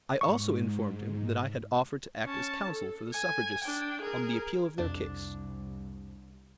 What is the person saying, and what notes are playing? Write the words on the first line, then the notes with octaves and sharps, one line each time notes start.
I also informed him that I had offered to act as counsel for the suffragists on the appeal of their case.
G#2 C#6
C#4 A5
A4
G#5
D4 G5
G#4 A#4
C2 F2 D4